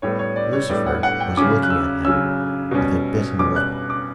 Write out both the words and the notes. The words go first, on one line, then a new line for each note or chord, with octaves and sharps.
Lucifer was looking at him with a bitten lip.
A2 G3 B3 C#5
C#5
D5
C#5
A2 G3 B3 D5
F#5
F#5
G5
C#3 F#3 C#4 D6
F#6
E6
C#3 F#3 C#4 E6
B2 G3 C#4
B2 G3 C#4 D6
F#6
D6